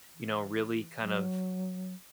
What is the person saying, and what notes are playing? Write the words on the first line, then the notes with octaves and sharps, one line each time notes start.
you know, really kind of,
E3
F#3